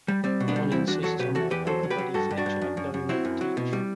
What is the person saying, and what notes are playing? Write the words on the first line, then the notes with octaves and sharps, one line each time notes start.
Don insists on their poker buddy Fletcher going with Teach.
G3
G3 C4
B2
B3 D4
G3
E2 C4 E4
E2 D4 F#4
F#3 F#4 A4
B2 G4 B4
E2 F#4 A4
E2 G4 B4
F#3 A4 C5
F#3
G4 B4
F#3
G2 F#4 A4
G2
D4 F#4
G2
F#2
F#2
F#2
F#3 C4 E4
F#2
F#3
B2
G3